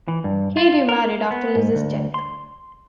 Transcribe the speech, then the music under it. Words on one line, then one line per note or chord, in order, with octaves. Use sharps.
He remarried after Liz's death.
E3
G2
F4
A#4
B3
G#2
D2
C6